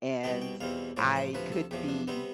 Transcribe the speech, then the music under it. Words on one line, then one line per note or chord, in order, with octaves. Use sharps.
and I could be,
C2 B2 B3 G5
G5
E2 B2 G3 C4 F5
A1 A2 F3 A3 D5
C5
D2 C3 F3 B4
A4
E2 C3 F3 G4
D4
C3 G3 B3 C4